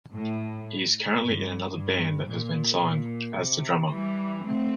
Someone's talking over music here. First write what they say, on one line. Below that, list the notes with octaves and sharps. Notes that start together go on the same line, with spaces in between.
He is currently in another band that has been signed, as the drummer.
A2
G2
G2
A#2
A#2
C3
E3 G3
A3 C4